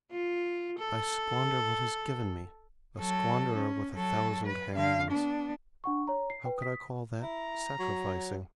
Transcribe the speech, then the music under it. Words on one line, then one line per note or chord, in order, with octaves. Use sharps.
I squander what is given me, a squanderer with a thousand hands: how could I call that--sacrificing?
F4
A4
F#3 A4
C#4
F#3 A4
B4
D3 F5
B3 D4
D4 F#5 C#6
C#5 A#5
C7
B4 G5
D#6 B6
E4 A#5
F#3